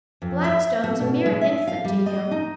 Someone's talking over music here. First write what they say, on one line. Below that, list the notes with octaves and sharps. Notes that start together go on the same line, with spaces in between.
Blackstone's a mere infant to him.
F2
E5
A3
B2
G#3
E5
F5
G3
D#5
D#4